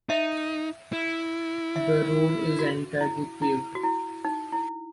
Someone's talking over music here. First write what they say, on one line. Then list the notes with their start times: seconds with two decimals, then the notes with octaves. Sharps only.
The road is entirely paved.
0.09 D#4 E5
0.93 E4
1.76 E5
2.59 F#4
3.01 E4
3.42 E4
3.75 F#4
3.83 E4
4.25 D#4
4.52 E4